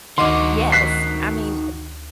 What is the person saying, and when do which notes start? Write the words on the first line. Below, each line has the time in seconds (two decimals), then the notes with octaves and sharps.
Uh, yes. I mean
0.18 D2 D#3 F#4 D#5 C6 D6
0.72 F#6 B6 C7